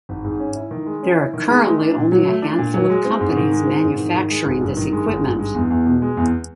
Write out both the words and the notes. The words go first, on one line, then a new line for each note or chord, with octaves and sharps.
There are currently only a handful of companies manufacturing this equipment.
G#1
G#2
C#4
E4
D#3
G#3
C#4
E4
D#3
G#3
A3
D4
A#2
F#3
A3
D4
A#2
F#3
G#3
C4
G#2
D#3
G#3
C4
G#2
D#3
D#3
G#3
G#1
G2
D#3
G#3
G#1
G2
G#3
E2
E2
B2
G#3
E2